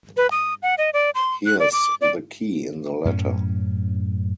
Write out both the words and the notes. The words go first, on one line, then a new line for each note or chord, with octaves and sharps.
Here's the key in the letter.
B4
D#6
F#5
D#5
D5
C6
F#6
D5
D6
D5
F#2 A2 C#4